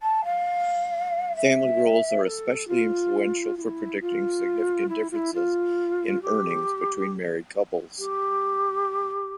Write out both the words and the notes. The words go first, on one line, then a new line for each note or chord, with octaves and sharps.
Family roles are especially influential for predicting significant differences in earnings between married couples.
A5
F5
E5
B4
A4
F4
F4
E4
F4
E4
F4
E4
F4
G4
G4